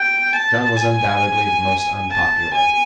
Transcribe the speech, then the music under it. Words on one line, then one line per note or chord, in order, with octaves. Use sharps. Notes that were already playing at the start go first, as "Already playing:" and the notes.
John was undoubtedly the most unpopular.
Already playing: G5
A5
G#5
A5
G#5